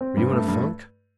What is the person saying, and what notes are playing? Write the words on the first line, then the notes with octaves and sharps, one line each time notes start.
Were you in a funk?
C4
G2
A3
G2